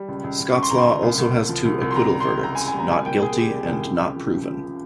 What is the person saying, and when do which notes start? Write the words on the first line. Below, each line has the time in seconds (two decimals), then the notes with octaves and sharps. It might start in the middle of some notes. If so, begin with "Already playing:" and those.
Scots law has two acquittal verdicts: "not guilty" and "not proven".
Already playing: G3
0.09 C#2
0.24 C#2
0.40 C#2
0.55 C#2 C#6
0.63 C6
0.70 C#2 A#5
0.77 C6
0.87 C#2
1.02 C2
1.18 C2
1.33 C2
1.49 F3
1.65 C2
1.81 C2
1.91 C6
1.96 C#2 A#5
2.12 G3
2.20 C6
2.28 C#2
2.43 C#2 A#5
2.55 G#5
2.60 C#2
2.68 G#5
2.74 G3 A#5
2.91 C2 G#5
3.06 A#2 G5
3.22 C2 G#4
3.38 G3 G4
3.53 C2
3.69 C2
3.85 C#2
4.00 C#2
4.16 F3
4.32 C#3
4.48 F3
4.63 C#3